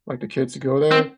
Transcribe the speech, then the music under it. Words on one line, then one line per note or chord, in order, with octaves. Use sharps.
like, the kids to go there,
C4